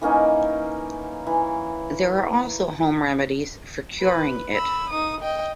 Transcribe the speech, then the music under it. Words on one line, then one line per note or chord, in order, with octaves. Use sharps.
There are also home remedies for "curing" it.
E3 A#3 C#4 D#4
E3
B4
B5 E6
D#4 D#6
D#5 G5